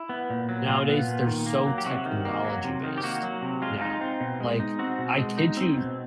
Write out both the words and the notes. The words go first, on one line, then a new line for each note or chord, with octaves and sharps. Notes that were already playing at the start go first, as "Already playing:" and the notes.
nowadays, they're so technology-based, now, like, I kid you
Already playing: E4
B3
A#2
F#3
A#2 F4
B3
A#2
D#3
A#3
F#3
G4
C3 F#4
D#3
A#3
F#3
C3
D#3
G4
A#3 F#4
F#3
C3
G#3 F4
D#4
C4
B2
G#3
D#4
C4 F#4
B2
G#3
D#4
C4
B2